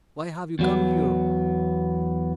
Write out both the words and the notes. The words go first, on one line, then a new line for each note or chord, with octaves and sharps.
Why have you come here?
E2 F#3 B3